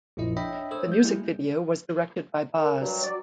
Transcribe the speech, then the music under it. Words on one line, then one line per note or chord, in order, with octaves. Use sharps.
The music video was directed by Baz.
A#1 F#2 A#2 F3 E4 D#5
D4 C#5 D#5 E5 G5 B5
A4 C5 C#5 D#6 E6
G#3 G6
G3 G#3 A#3 E4 G4 G#4
A#4
G2 F#3 F#4
D5